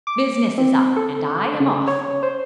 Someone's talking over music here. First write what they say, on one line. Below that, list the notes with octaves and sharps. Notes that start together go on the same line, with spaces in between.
"Business is up and I am off!"
D6
C4
A4
C#3
C#5
C5